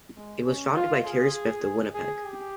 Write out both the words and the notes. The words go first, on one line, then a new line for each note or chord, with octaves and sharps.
It was founded by Terry Smith of Winnipeg.
G#3
C#4
F4
G#4
G#4
G4